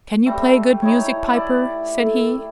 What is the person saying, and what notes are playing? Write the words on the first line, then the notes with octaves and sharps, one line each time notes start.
"Can you play good music, piper?" said he.
G3 A3 C4
D#4 E4 C#5
E4 D5
A4